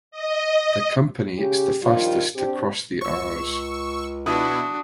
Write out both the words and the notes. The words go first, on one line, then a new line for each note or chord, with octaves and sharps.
The company is the fastest to cross the Rs.
D#5
C#3 G4
G2 D#3 F3 G3 F4
C4 D4 G4
C#2 C#6 E6
B2 B3 D4 E4 F#4 D#6